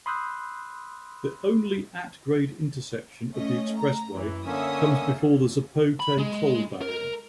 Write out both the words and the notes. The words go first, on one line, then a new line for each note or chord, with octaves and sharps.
The only at-grade intersection of the expressway comes before the Zapote toll barrier.
B5 C6 D#6 E6 F#6 G6
A3 C#4 D#5
A#5
F#2 E3
D3 A#3 C#4 C#5 E5 D#6
B5
G#3
A#4